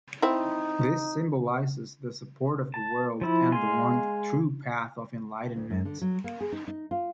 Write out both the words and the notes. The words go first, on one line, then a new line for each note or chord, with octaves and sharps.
This symbolizes the support of the world and the one true path of enlightenment.
C4 D#4 E4
A5
F3 E4
G#3 F5 G#5 C6
D2
F#2
D3
F#3
A#3
G#4
D#4
D#4
F4